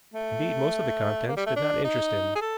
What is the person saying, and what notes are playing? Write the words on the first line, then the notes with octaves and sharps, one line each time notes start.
Indeed, most of the contents did not interest him.
A3
A#3
G3
A3
D4
D#4
G#4
A4